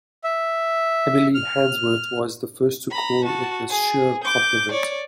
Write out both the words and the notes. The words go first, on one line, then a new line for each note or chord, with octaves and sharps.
Emilie Haynsworth was the first to call it the "Schur complement".
E5
F6
A#5 B5
F#4 A5
G#4
D6 G6
C#5 D5